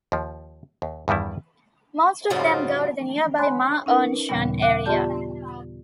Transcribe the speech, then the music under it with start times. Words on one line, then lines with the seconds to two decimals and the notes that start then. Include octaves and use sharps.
Most of them go to the nearby Ma On Shan area.
0.12 D#2 F3
0.82 D#2
1.08 E2 G2 D#3 G3 E4
2.30 F2 G#2 C#3 F#3 G3 F4
3.38 C#5 G#5 B5 C6 F#6
3.86 C#4 D#4 A#4 B4
4.29 D#2 A#2 C#3 E3 G3 B3
4.62 E5 F#5 D6 F#6
4.86 B3 F4 G4 D5 A5 G6